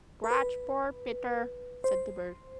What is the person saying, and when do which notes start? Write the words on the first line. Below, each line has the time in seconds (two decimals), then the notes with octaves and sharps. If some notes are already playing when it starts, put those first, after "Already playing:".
"Scratch poor Peter," said the bird.
0.24 A#4
0.31 B4
1.84 C5